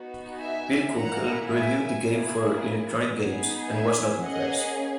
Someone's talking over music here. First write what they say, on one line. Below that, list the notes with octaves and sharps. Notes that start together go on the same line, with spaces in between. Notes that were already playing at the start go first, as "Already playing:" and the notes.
Bill Kunkel reviewed the game for "Electronic Games" and was not impressed.
Already playing: B3 D#4 F#4
E5 G#5
A#3 E4 G#4 F#5 A#5
E5 G#5
A#3 E4 G#4
B3 D#4 G#4
E5 G#5
A#3 C#4 G#4 D#5 F#5